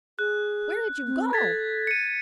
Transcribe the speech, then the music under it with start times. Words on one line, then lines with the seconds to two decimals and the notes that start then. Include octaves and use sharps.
"Where did you go?"
0.19 G#4 F#6
1.07 C4
1.33 A4 G#6 A6 B6
1.87 C#7 D#7